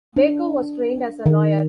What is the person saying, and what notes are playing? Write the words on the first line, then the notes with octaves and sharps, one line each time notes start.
Baker was trained as a lawyer.
D4
D#3